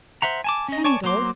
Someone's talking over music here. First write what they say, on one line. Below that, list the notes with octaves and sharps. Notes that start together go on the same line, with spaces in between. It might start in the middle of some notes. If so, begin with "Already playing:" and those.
Hang it all!
C5 E5 F#5 A#5
G#5 A5 D6
C#4 D#5
C#5 D5 G#5 A5 C#6
F#3 A#3 C5 C6 D6